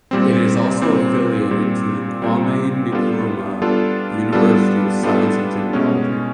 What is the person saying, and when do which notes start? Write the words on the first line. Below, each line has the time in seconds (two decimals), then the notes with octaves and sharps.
It is also affiliated to the Kwame Nkrumah University of Science and Technology.
0.11 A#2 G3 C4
0.82 A#2 G3 C4
1.51 A#2 G3 C4
2.22 A#2 G3 C4
2.92 G3 B3 D4 F4 A4
3.62 G3 B3 D4 F4 A4
4.32 G3 B3 D4 F4 A4
5.03 G3 B3 D4 F4 A4
5.73 B2 G#3 C#4